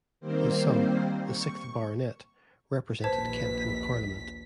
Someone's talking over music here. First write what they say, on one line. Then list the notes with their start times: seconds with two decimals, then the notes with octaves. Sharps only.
His son, the sixth Baronet, represented Kent in Parliament.
0.20 D#3 G3 A#3 C4 C5
1.23 C#6
3.04 A#1 D#2 B4 C5 A5 G#6 B6